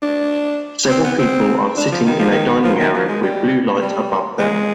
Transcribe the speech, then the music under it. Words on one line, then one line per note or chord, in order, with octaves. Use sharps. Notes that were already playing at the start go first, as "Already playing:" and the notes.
Several people are sitting in a dining area with blue lights above them.
D4
C4
B3
C4
D4
F3
D#3
F3
D#3
F3
D#3
F3
G#3
G3
G3
G#3